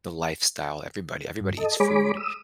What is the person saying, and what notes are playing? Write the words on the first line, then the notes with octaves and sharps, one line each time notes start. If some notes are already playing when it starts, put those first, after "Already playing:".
the lifestyle everybody everybody eats food,
G2
A4 D#5
G#3 G#4 C#5 B5 D6
D#6 E6